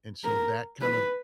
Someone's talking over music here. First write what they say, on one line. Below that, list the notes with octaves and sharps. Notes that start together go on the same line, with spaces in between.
and so that kind of,
A#4
B4